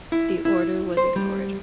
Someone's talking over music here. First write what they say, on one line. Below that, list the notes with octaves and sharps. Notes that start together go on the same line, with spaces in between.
The order was ignored.
E4
E4
C5
G3